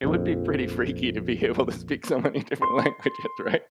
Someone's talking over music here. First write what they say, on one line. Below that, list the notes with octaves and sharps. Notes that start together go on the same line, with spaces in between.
it would be pretty freaky to be able to speak so many different languages, right?
A#1 F2
C6